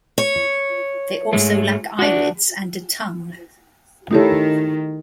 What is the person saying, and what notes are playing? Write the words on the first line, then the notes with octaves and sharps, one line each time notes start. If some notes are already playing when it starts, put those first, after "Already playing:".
They also lack eyelids and a tongue.
C#5
G#2 G#3 A3
D4 F#4
D#3 A3 D#4 E4 G4 A4 C#5